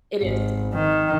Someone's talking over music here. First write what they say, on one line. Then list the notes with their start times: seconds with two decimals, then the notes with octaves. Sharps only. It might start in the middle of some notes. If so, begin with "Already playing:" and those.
It is.
0.22 G#1
0.74 D#3